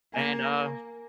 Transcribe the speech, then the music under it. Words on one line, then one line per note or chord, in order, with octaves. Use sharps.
And, uh
A#3 G#5
A#4